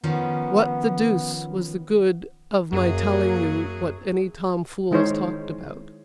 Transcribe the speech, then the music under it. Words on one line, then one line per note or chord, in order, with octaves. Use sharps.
"What the deuce was the good of my telling you what any tom-fools talked about?"
D#3 F3 B3 C#4
F#2 F#3 A#3 G#4
D#3 G#3 D#4 E4 C5 C#5